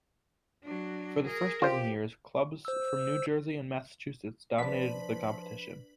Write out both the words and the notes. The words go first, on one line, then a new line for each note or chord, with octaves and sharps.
For the first dozen years, clubs from New Jersey and Massachusetts dominated the competition.
F#3 D4
G#4 A#4
F4 G4 C5
C5 E6
F3 D4 B4 B6